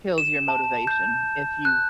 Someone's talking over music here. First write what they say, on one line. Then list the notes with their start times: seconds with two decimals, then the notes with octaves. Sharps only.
kills your motivation if you
0.18 E7
0.48 A5
0.87 G6
1.65 F#6